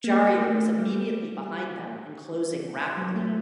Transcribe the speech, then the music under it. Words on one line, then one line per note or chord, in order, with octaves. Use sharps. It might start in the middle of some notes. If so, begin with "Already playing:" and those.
Jarier was immediately behind them and closing rapidly.
A#3
A3
G3
F#3
A3